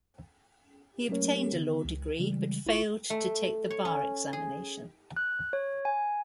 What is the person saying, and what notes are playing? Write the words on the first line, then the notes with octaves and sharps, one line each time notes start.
He obtained a law degree, but failed to take the bar examination.
F#3 A3 A#3 C#4 A#4 C#5
D3 B3
C#2
C#3 E3 G3 G#3
G#1 E4 F4 C#6 C#7
A3
C#5
C#4
G#4
F#6
C#5
G#5